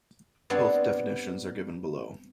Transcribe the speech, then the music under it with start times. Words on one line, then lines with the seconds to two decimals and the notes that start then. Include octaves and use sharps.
Both definitions are given below.
0.50 G2 B3 C4 D5